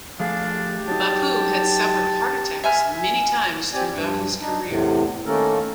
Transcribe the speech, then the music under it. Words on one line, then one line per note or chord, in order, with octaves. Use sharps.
Bapu had suffered heart attacks many times throughout his career.
F3 A3 D4 G#4 F5
G4
F#3 D#4 A5
E5 G#5 F6
C4 G4 D5 G#5
G2
D4 D#4
E2 A2 C3
D#3 A3 A#3 C#4 A4 A#4